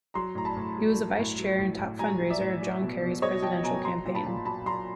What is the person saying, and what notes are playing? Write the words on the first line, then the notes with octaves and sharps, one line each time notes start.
He was a vice-chair and top fund-raiser of John Kerry's presidential campaign.
F#3 A#5 C6
A2 A#5
A5 B5
A2
F#3
F#3
A2
F#3
A2
A2
F#3 G#5 A#5
F#3
D5 E5
A2
F#3
B2
B2
F#3 C#5 D#5
F#3 G5 A5
B2 G#5 A#5
F#3 A#5 C6
A#2
A5 B5
A#2
F#3 A5 B5
F#3 A#5 C6